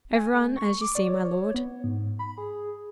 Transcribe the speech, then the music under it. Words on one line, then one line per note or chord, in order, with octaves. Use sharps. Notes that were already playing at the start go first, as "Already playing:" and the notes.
"Everyone, as you see, my lord."
G#5
A3
C#6
D6
D5
C#5
C#5
B3
G#2
B5
G#4